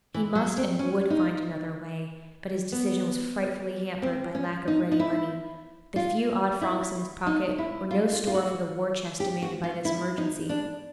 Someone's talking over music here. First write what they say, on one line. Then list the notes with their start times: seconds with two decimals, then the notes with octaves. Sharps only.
He must and would find another way; but his decision was frightfully hampered by lack of ready money; the few odd francs in his pocket were no store for the war-chest demanded by this emergency.
0.14 E3
0.35 F#3
0.58 C4
0.79 C#4
1.10 D#4
2.72 B3
4.02 C4
4.35 C#4
4.68 D#4
4.92 D#4
5.00 E4
5.96 F4
6.61 E4
7.27 D#4
7.58 E4
7.91 F4
8.13 F4
8.27 F4
8.34 F#4
9.20 G4
9.42 F#4
9.64 F4
9.85 E4
10.18 D#4
10.49 D4